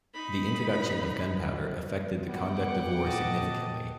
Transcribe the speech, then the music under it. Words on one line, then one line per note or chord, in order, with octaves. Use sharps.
The introduction of gunpowder affected the conduct of war significantly.
D#4 B5
B3 F#5 G5 D6
A#2 D#5 A5